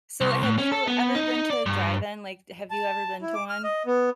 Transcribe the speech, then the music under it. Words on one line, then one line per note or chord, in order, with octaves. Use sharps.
So have you ever been to a drive-in, like, have you ever been to one?
C2
A2
C#4
A4
B3
D#4
D5
G2
A5
E4
D6
F6
D#5
B3